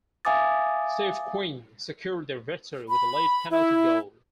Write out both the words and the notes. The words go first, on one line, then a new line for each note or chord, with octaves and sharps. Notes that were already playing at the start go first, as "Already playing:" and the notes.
Steve Quinn secured their victory with a late penalty goal.
E5 F5 G#5 D6 D#6 A6
B5
E4